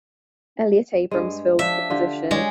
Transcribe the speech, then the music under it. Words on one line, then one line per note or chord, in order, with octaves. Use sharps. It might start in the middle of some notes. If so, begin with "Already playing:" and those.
Elliot Abrams filled the position.
G2 G#3
F3 D4 E5
D3 F4 G4
G#3 C#5 D5